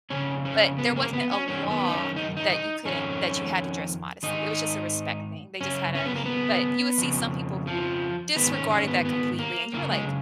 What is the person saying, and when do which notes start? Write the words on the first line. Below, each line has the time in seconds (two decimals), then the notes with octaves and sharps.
But there wasn't a law that you couldn't that you had to dress modestly. It was just a respect thing. They just had a but you would see some people who disregarded that completely, and you were like,
0.10 F2 C#3 C#4
0.45 C#4
0.78 B3
0.96 A#3
1.13 B3
1.31 C#4
1.48 F#2 D#3 C#4
1.71 B3
1.88 D#4
1.94 C#4
2.16 D#4
2.37 D#4
2.51 D#4
2.85 F2 D#3 C#4
4.23 G#2 D#3 D#4
5.61 F#2 C#3 C#4
5.95 C#4
6.06 B3
6.16 A#3
6.25 B3
6.98 F2 C#3
7.67 F3
8.36 G#2 D#3 B3
8.53 C#4
8.70 C#4
8.87 B3
9.05 B3
9.39 A#3
9.73 F#2 C#3 A#3
9.91 G#3